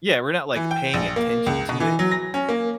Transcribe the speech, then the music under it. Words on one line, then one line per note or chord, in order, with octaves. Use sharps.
Yeah, we're not, like, paying attention to it
E3
G5
A#1
A#3
C#2
B2
E3
F#3
A#6
C#4
A#3